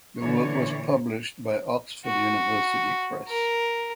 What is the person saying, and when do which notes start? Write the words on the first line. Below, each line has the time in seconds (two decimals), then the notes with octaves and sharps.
The work was published by Oxford University Press.
0.20 A#2 D3 E3 C#5
2.06 F#4
3.28 A#4